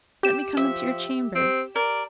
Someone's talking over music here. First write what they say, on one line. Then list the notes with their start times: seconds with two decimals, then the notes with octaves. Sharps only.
Let me come into your chamber.
0.23 G4 E7
0.57 F3 E5
1.35 C4
1.76 A#4 D5